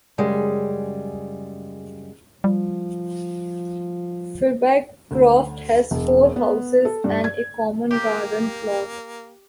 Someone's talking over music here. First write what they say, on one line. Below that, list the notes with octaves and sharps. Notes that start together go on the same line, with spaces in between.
Firby Croft has four houses and a common garden plot.
F#2 C#3 G3 G#3
F3 G3
D2
E1
B3
A4
G2
G#6
A#3 G4